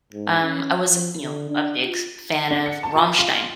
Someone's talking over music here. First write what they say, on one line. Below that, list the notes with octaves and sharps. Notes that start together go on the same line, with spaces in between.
um, I was, you know, a big f fan of Rammstein.
G#2
C#4
F3
D3
D4
F4
D4
C#7
A5
F4
F4